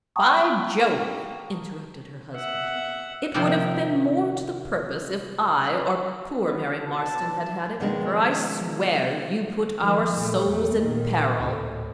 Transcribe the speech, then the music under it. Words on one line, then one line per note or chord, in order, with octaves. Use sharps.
"By Jove!" interrupted her husband, "it would have been more to the purpose if I, or poor Mary Marston, had had it; for I swear you put our souls in peril!"
F#5 G5 A5 A#5 C#6 D#6
E5 F#5
C3 D#3 F3 A#3 E4 C6
E3 B3
B1 A5
B2 D#3 F3 G#3 A#3 D4
D#3 F3
A#2 A3
E2 A3
A#2 D#3
D2 A2